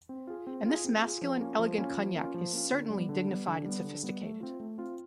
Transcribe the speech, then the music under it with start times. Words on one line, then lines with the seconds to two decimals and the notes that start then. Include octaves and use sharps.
And this masculine, elegant Cognac is certainly dignified and sophisticated.
0.09 C4
0.27 F4 G#4
0.47 C4
0.66 F4 G#4
0.85 C4
1.03 F4 G#4
1.22 F3
1.41 A#3 C#4 F4
1.59 F3
1.78 A#3 C#4 F4
1.97 F3
2.15 A#3 C#4 F4
2.34 F3
2.53 A#3 C#4 F4
2.72 D3
2.90 G3 B3
3.09 D3
3.29 G3 B3
3.47 D3
3.65 G3 B3
3.84 D3
4.03 G3 B3
4.21 A3
4.40 C4 F4
4.60 A3
4.78 C4 F4